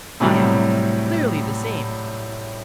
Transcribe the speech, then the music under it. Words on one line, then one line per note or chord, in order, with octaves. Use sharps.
ION: Clearly the same.
A2 C3 F#3 G3